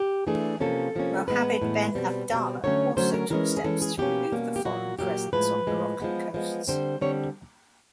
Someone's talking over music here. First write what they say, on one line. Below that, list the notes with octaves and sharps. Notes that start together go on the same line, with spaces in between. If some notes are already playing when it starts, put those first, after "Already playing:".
Mohammed ben Abdallah also took steps to remove the foreign presence on Moroccan coasts.
Already playing: G4
E3 A3 D4 G#4
C3 F3 A#3 C#4 A4
C3 F3 A#3 C#4
A2 E3 G#3 B3 B4
A2 E3 G#3 B3
B2 G3 C4
B2 G3 C4
D3 F#3 A3 C#4 C#5
D3 F#3 A3 C#4 C5
A#4
E3 G#3 C#4 A#4
G#4
E3 G#3 C#4 A4
G#4
B2 G3 A#3 C#4 G4
B2 G3 A#3 C#4
G4
A#2 F#3 A#3 F#4
A#2 F#3 A#3 G4
A2 F3 G#3 B4
A2 F3 G#3
F3 G#3 B3
F3 G#3 B3
D3 G3 C4 C5
D3 G3 C4 C#5